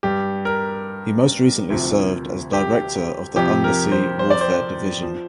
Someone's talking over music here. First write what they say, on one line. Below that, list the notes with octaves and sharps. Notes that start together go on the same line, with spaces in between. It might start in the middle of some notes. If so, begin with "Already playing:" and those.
He most recently served as Director of the Undersea Warfare Division.
G2 G3 G4
A#4
D2 C3 F3
G4
F2 C3 F3 G4
A#4
C5
C5
D5
C5
F3